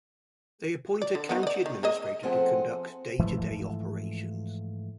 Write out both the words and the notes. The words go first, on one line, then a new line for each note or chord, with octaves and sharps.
They appoint a County Administrator to conduct day-to-day operations.
D5
D3
D#3 B3
D5 D#5
D#3
G#3 A#3 D#5
F3 A3 C4 G#4 F#5 G#5
G#2 E3 F3 A3